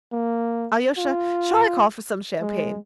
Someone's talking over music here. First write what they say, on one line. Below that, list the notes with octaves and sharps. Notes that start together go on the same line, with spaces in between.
Alyosha, shall I call for some champagne?
A#3
F4
G#3